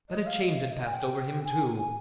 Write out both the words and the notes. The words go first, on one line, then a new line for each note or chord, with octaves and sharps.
But a change had passed over him, too.
D#5
F5
D#5
F5
D#5
G#5
G5
G#5